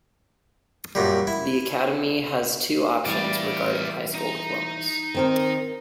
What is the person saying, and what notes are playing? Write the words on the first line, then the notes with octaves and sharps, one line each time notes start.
The Academy has two options regarding high school diplomas.
F#2 A#2 G3
E4
E3 G3 D5 F5
D#4 A#5
D#3 C4 A#4